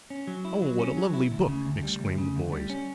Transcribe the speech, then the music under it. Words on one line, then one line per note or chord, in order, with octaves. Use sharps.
"Oh, what a lovely book!" exclaimed the boys.
C#4
F#3
E4
F#3
C#4
F#3
E4
D2
C#3
D2
G3
D2
C#3
D2
G3
C#4